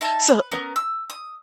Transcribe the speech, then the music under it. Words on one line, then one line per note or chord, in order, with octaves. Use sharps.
So, oh
D#4 E5 A5
B4
B3 C#4 A#4
E6
D#6